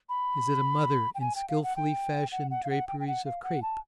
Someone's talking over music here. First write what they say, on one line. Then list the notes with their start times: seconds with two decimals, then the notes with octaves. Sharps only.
Is it a mother in skilfully fashioned draperies of crape?
0.09 B5
1.15 G5
1.21 G#5
1.35 G5
1.49 F5
1.63 F#5
1.76 G5
2.32 F#5
2.51 F#5
2.64 F5
2.70 F#5
2.88 G5
3.00 G5
3.07 F#5
3.25 F5
3.43 F#5
3.62 A5